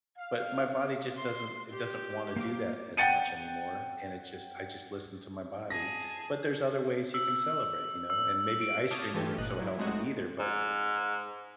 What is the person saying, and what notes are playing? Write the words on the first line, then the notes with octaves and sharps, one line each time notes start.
But my body just doesn't it doesn't want to do that as much anymore. And it just I just listen to my body. But there's other ways you can celebrate, you know? And maybe ice cream isn't so healthy either, but
F5
C6
G4
A#3 F5 D6
F#5 G5 A6 C#7 D#7
G#4 A5 A#6
E6
E6
D7
C#5 A5 D6 D#6 F6 G6
E3 A3 F4 G4 A4 C#5
G1 A#2 D#5 F#6
F#3 E4
G#3 A3 C4 D#4 F#4
G#2